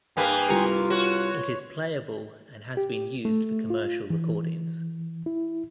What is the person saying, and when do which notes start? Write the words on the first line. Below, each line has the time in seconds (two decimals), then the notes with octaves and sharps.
It is playable and has been used for commercial recordings.
0.17 G2 A#3 B4 G5 G#5 D#6
0.49 C2 F4 A#5 C#6
0.90 F#4 C#5
2.77 G4
3.25 A3
3.70 F4
4.10 E3
5.26 E4